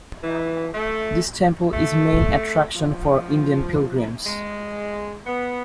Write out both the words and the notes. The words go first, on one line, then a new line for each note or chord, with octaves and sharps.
This temple is main attraction for Indian pilgrims.
E3
A3
A3
F3
G#3
B3